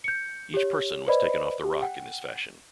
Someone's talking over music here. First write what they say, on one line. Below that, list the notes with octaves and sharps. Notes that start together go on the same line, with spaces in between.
Each person was taken off the rock in this fashion.
G6 C#7
G4 C#5
B4 C5 D5 D#5 B5
G4
F#5 G5